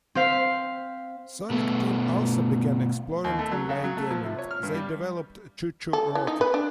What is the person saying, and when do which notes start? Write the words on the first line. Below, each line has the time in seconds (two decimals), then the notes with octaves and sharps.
Sonic Team also began exploring online gaming; they developed ChuChu Rocket!
0.15 C4 C5 F5 B6
1.50 B2 A3 B3
3.24 D#2
3.39 A3
3.51 F#3
3.69 C#3
3.84 F#3
3.97 A3
4.11 F3
4.24 C3
4.38 C#5
4.51 F6
4.63 G2
4.74 G3
5.93 A4
6.15 E3
6.27 D#4
6.41 B4
6.54 D4